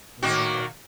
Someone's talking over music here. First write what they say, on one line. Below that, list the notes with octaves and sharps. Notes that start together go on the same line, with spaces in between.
you know, I
D#3 A#3 F#4